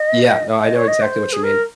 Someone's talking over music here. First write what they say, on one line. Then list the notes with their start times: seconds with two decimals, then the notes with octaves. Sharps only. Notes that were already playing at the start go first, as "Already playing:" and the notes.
Yeah, no, I know exactly what you mean.
Already playing: D#5
0.62 D#5
0.74 C#5
0.87 D#5
1.03 C5
1.32 G#4
1.43 A#4